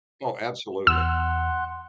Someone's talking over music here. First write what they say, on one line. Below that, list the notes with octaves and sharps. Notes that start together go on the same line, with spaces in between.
Oh, absolutely.
E2 F#5 C6 E6 F#6